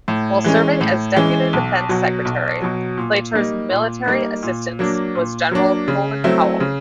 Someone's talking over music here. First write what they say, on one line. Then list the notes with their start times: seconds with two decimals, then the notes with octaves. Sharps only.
While serving as Deputy Defense Secretary, Claytor's military assistant was General Colin Powell.
0.08 A2
0.44 E3 G#3 C#4
0.81 A2
1.16 E3 G#3 C#4
1.53 B1
1.89 B2 F#3
2.25 B1
2.61 B2 F#3
2.98 A#2
3.33 G3 A#3 D#4
3.70 A#2
4.07 G3 A#3 D#4
4.43 A#2
4.79 F#3 A#3 D4
5.15 A#2
5.51 F#3 A#3 D4
5.88 C#3
6.24 F#3 A3 C4 E4
6.60 C#3